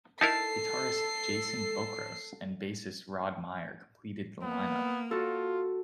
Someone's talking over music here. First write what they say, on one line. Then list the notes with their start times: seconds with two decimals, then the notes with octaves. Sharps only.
Guitarist Jason Bokros and bassist Rod Meyer completed the lineup.
0.21 D#4 E4 A4 A#4 A5 C7
4.42 A#3 B3
5.11 F4 F#4 A4